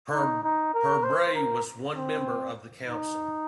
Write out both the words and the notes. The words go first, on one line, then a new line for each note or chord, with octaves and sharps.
Per Brahe was one member of the council.
D#4
D#4
A#4
C5
A#4
C4
D#4